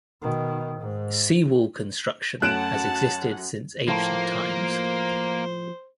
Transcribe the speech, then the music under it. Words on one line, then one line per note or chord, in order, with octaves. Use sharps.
Seawall construction has existed since ancient times.
B2 D#3
G#2
F#2 A3 C#4 F#5 A5 F#6 D7 E7
A2 F3 A#3 F4 C5